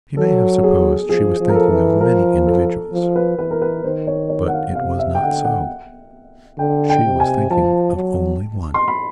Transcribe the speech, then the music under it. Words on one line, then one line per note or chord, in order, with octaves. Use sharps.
She may have supposed she was thinking of many individuals, but it was not so--she was thinking of only one.
F#3 A4
G#4
F3 G#4
F3
A#4
A4
E3
F3 A#4
A4
F3
B4
E3 B4
A#4
B4
D#3 C5
C#5
C#5
F#5
F5
C3 F5
E5
G5
D3 F#5
F#5
D3 G5
G5
C3
G#5
F3 A5
F#3
C6
B5